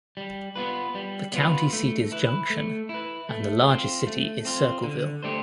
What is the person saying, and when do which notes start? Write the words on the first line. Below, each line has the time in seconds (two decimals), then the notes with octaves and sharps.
The county seat is Junction, and the largest city is Circleville.
0.17 G3
0.56 B3 F4 B4
0.95 G3
1.33 B3 F4 B4
1.73 A3
2.12 E4 B4
2.50 A3
2.89 E4
2.94 B4
3.29 A3
3.68 C4 F4
4.07 A3
4.45 C4 F4
4.84 D3
5.23 A3 D4 G4 C5